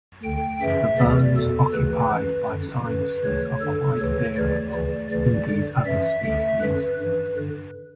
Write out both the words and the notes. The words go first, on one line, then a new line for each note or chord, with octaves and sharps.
The bones occupied by sinuses are quite variable in these other species.
D2 D3 G5
F#2 C#3 E3 E5
D2 C#3 E3 D5
E2 B2 A4
D2 C#3 E3 B4
F#2 E3 B4
F#2 D3
F#2 D3 B4
D2 C#3 E3 C#5
G2 D3 A4
D2 C#3 E3 C#5
D2 C#3 E3 D5
D2 C#3 E3
D2 C#3 E3 D5
G2 D3 D5
F#2 E3 E5
D2 D3 E5
F#2 D3 B4
G2 E3 B4
G2 D3